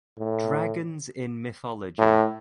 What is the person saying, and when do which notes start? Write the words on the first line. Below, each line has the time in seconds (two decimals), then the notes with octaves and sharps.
Dragons in mythology.
0.19 A2
1.98 A2